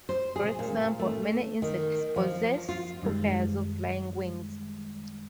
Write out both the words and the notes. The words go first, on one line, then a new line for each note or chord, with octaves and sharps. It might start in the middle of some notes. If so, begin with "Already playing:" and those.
For example, many insects possess two pairs of flying wings.
C5
G#4
A#2
A3
D#3
F3
F4
F#2 D#3 G3 G#3